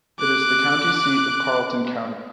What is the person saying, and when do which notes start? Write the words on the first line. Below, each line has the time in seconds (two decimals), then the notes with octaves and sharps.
It is the county seat of Carlton County.
0.19 D6 F#6